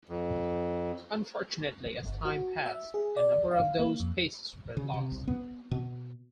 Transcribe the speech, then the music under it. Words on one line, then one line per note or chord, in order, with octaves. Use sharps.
Unfortunately, as time passed, a number of those pieces were lost.
F2
G1
F#4
E5
G#4
D5
F5
A#3
F2
C#3
C3
C2
B3
B2